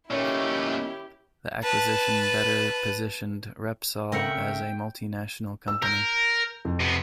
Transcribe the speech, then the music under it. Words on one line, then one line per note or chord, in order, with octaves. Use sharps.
The acquisition better positioned Repsol as a multinational company.
A#2 D#3 A3 C#4 E4 G4 C#5
B4 A5
C#3 A3 C4 A#4 E5 F#5 G5
E6
A#4 G6
F2
C3 B3